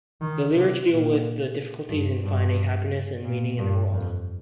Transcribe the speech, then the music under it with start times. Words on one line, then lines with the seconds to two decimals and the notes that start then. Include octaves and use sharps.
The lyrics deal with the difficulties in finding happiness and meaning in the world.
0.21 D#3
0.55 C3
0.89 A#2
1.89 G2
2.23 G2
3.24 A#2
3.58 G2
3.91 F2